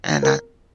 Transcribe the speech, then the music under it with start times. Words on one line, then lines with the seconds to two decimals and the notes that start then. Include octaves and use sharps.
and I I
0.23 A#4